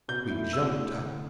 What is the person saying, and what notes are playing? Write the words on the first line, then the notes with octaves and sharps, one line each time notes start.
We jumped up.
B2 G6
E4
A3
B2 E6
A3 E4
D3